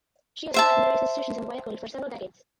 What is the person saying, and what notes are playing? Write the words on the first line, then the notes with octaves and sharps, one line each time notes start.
She has taught in various institutions in Guayaquil for several decades.
C5 E5 A5